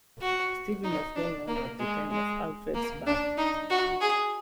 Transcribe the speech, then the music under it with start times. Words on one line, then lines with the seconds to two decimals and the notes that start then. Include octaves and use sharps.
Stephen was well known at the time of Alfred's birth.
0.21 F#4
0.84 D#4
1.15 D4
1.48 A#3
1.79 G#3
2.11 G#3
2.74 A#3
3.06 D4
3.38 D#4
3.70 F#4
4.01 G#4